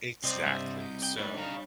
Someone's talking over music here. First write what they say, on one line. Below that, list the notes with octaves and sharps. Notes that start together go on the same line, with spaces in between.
Exactly, so
C2 C4 C5 D5 D#5
G2 E5
D#5 G6
G5
D2 G#2 G3 D4 B4 C#5
D#4 C#5 F5 A#5